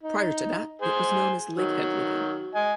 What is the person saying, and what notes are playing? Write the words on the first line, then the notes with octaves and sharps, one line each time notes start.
Prior to that it was known as "Lakehead Living".
D#4
G#4 C5 G#5
D#3 F#3
D#5 G#5